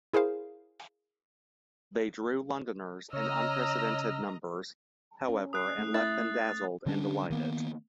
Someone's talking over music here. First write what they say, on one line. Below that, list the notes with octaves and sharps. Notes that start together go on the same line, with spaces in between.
They drew Londoners in unprecedented numbers, however, and left them dazzled and delighted.
E4 G#4 A#4 C5 F5
C#3 C#5 D#5 A#5 E6 F6
C#4
D#6 F#6 C7
A3
E4 A6
D3 G3 C#4 D4
D#3 A#3 B3